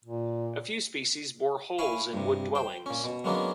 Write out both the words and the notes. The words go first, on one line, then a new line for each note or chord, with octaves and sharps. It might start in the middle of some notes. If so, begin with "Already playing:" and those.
A few species bore holes in wood dwellings.
A#2
E4 C#5 F5 G#5 B5
G2 C3
C5 G5
A#2 C#4
B2
F#3 G#3 A#3 B3 C#4 D4